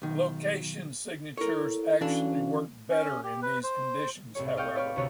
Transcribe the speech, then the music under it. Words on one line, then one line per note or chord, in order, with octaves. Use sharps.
Location signatures actually work "better" in these conditions however.
B1 D#3
E4 A4 A#4 C#5
E3 C#4 D4 F#4 A4 F5
C#4
G4
B4
C5
C2 A2 G#4 C#5
D5 D#5 F5 G5 C#6 G6
B4 C#5 D5 C#6 F6
D2 C3 F4 G#4 C#5 F#6